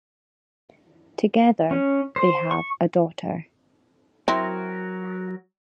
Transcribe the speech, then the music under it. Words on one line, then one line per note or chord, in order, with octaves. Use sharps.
Together they have a daughter.
C#4
C5
C#6
F#3 C4 E4 F#4 A#4